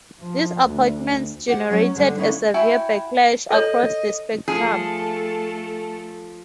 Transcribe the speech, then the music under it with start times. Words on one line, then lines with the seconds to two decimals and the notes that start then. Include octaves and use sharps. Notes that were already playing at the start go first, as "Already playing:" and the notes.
These appointments generated a severe backlash across the spectrum.
0.21 F3
0.66 D2
1.47 G4 C5 F#5
1.70 F#3 C#4 C#5
1.96 D3 G3 G#3
2.18 D3 A#3 C#4 D#4 E4
2.54 E4 F#4 G5 G#5
3.51 A4 C#5 D#5
4.48 F3 A3 G#4 A4